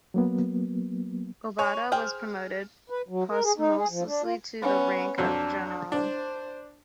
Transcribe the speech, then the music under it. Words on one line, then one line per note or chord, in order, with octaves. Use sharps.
Obata was promoted posthumously to the rank of general.
F#3 A#3 B3
C#5 G#5 C#6
G#4 C5 G5 F6
B4
F#3
A#4
G#4
D#4
G#4
F3
D4
F4
B3 C#4
F2 F#3 D4
D4 C5